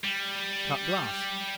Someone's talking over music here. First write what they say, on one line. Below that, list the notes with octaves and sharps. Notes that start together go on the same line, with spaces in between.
Cut glass.
G3